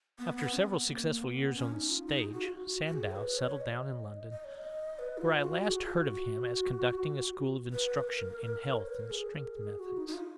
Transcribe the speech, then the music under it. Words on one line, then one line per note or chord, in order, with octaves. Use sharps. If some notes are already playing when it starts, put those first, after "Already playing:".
After several successful years on the stage, Sandow settled down in London, where I last heard of him as conducting a school of instruction in health and strength methods.
B3
B3
C#4
B3
A#3
B3
A#3
B3
C#4
D#4
F4
D#4
G#4
F#4
F4
F#4
F#4
G#4
C#5
B4
C#5
D#5
D#5
C#5
D#5
B4
D#4
F4
F#4
G#4
F#4
F4
F#4
B4
A#4
C#5
B4
A#4
G#4
A#4
G#4
F#4
D#4
D#4
F4